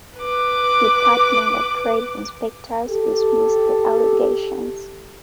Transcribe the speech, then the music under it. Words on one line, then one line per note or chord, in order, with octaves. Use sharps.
Department of Trade inspectors dismissed the allegations.
B4 D6
G4 A4